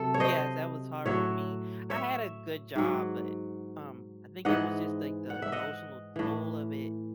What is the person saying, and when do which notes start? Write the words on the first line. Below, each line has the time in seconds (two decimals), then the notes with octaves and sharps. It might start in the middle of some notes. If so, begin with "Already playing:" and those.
yes, that was hard for me. I had a good job, but, um, I think it was just, like, the emotional toll of it
Already playing: C3 F#3 A4
0.14 C#5
0.20 C5 D#5
1.05 A2 F#3 C#5 E5
1.90 C#5 E5
2.76 G#2 F#3
4.45 G#2 E3 D#5 F#5
5.30 F#5
5.42 E5
5.52 D#5 F#5
6.16 A2 E3